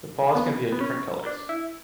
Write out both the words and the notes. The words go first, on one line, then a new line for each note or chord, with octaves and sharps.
The paws can be of different colors.
B3
B3
C#4
D4
E4